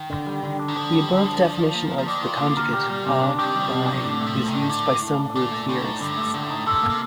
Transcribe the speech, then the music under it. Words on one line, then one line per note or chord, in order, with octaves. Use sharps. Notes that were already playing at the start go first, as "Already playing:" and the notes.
The above definition of the conjugate of by is used by some group theorists.
Already playing: D#3
D3
G3
D3
D4
D#3
D3 F3
G3
D3
D4
D5
F4
A#3
A#4
F3
D#3 D5
F4
D3 A#3
A#4
A#2 G4
G3
C3
D4
D#3 G4
F3 G3
C3
D#3 D4
A2 D3
A3
F3
A2
D#3
D4
A2 D3
A3
A2
D4
A#2 D3
A3
A2 D3
D#4
G2 D3
A3
A2 D3
D#4
C3 A4
A#3
C3